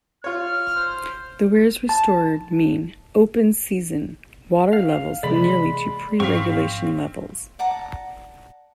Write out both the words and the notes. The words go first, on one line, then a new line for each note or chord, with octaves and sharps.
The weirs restored mean open-season water levels nearly to pre-regulation levels.
F4 C#5 F6
C5
A5
F5
C3 E3 G#3 A#3 D5 B5
G#2 F3 C4 F5 C#6 B6
D5 F#5 A5 A#5